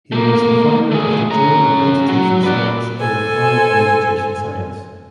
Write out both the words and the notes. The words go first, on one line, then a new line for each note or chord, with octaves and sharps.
He was the founder of the "Journal of Vegetation Science" and "Applied Vegetation Science".
A3 A#3
A3 G#4
C#4 A#5
F#3
B4 D5
A4 C5 G#5